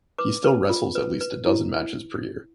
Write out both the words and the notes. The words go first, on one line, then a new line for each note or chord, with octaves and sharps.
He still wrestles at least a dozen matches per year.
B4 D6
B4
F4
B4
B4
E4